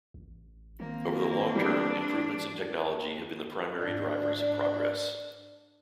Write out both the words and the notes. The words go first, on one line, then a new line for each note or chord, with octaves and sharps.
Over the long term, improvements in technology have been the primary drivers of progress.
A1
D#3 A#3 C4
E3 G3 D4
G#2 D4